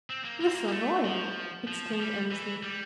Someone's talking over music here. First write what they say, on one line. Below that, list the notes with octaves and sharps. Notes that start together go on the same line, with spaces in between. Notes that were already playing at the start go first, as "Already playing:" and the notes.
"The Savoy!" exclaimed Annesley.
C4
A#3
A#3
C4
A#3
A#3
A3
F3
F3
F3
G3
E3
G3